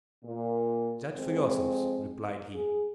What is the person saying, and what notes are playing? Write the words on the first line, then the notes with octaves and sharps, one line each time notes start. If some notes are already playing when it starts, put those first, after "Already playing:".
"Judge for yourself," replied he.
A#2
F2 G#3 C4
G#4